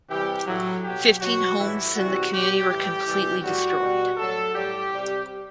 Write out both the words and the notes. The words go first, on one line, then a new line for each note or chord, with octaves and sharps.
Fifteen homes in the community were completely destroyed.
C3 E3 G3 G4
A2 F#3
B2 F#3 G4
B2 F#3 F#4
A2 E3 G3 E4
C3 E3 G3 F#4
B2 G3 G4
A2 E3 G3 G4
C3 E3 G3
A2 G3 F#4
B2 G3
A2 F#3 A4
A2 G3 G4
C3 G3